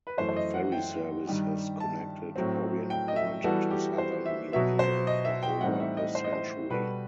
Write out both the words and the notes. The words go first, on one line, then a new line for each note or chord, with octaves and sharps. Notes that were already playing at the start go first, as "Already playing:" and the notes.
Ferry Service has connected Orient Point to southern New England for over a century.
B4
F#2 E3 A3 C5
C5
D#5
F#5
G5
G2 D#3 G3 D#4 G4
A5
A2 F#3 C4
G5
D#5
E5
E3 G3 B3 F#4 A4
G4
C5
E5
B2 F#3 B3 E5
C5
D#5
E5
G5
A2 E3 G3 C4 D#4 F#5
E5
D#5
C5
D#5
C5
B2 G3 B3 F#4 A4 B4